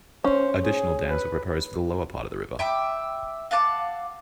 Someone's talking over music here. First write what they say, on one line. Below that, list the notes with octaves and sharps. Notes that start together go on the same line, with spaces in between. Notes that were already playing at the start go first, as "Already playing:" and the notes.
Additional dams were proposed for the lower part of the river.
C#4 C5
G#4
B4
E5 G5 B5 D6
F5 F#5 A5 D6